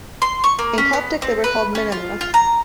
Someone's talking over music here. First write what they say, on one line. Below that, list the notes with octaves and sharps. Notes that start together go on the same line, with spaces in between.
In Coptic, they were called "Minamref".
C6
C#6
A#3
C#4
B3
C4
B4
C#4
F4
F4
A#5